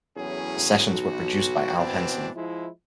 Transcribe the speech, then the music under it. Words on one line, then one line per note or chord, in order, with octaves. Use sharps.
The sessions were produced by Al Henson.
E2 A2 F#3 C#4 G#4
B1 F#4
B2 E3 B3 C4 D4
F3 G#3 E4